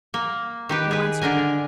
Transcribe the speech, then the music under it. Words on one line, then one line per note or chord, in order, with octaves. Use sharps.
No answer.
A#3
D#3 G4 B4
G#4 B4
D3 D4 A#4 G#5